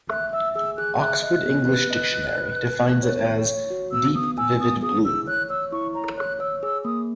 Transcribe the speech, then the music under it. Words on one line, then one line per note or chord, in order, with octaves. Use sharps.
Oxford English Dictionary defines it as "deep vivid blue".
E5 F#6
E5 E6
G#4 E6
G#4 F#6
E5 F#6
D#5 F#6
B3
B4
D#5
D#5
B4
B4
B3
C#5
C#5
C#5
F#4
B3 E6
B3 D#6
G#5 E6
B3 D#6
G#4 D#6
E4 E6
C#5 F#6
C#5 E6
E4 C#6
C#5 A#5
C#5 F#6
C#5 E6
G#4 E6
A#3 D#6